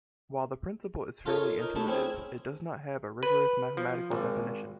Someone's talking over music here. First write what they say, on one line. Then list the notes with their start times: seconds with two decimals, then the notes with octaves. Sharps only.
While the principle is fairly intuitive, it does not have a rigorous mathematical definition.
1.26 F4 A4 A#4 C#5 D#5
1.59 D#4 A#4
1.76 A3 D#4 E4 A4
1.88 C4 C#4 E4 G#4
3.23 B4
3.77 F3
4.11 G#1